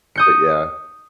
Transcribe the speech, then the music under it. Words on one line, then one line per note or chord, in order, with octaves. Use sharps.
but yeah.
D#6 G6 C#7